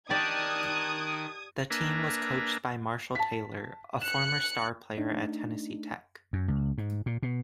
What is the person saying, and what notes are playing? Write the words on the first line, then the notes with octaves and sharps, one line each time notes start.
The team was coached by Marshall Taylor, a former star player at Tennessee Tech.
D#3 G4 D5 A5 D#6 F#6 G#6
A#3 D4 B4 E5 G#5 A#5
A5 B6
F#6 C#7 E7
A3 D4 D#4
F#2
C#2
G#2
A#2
B2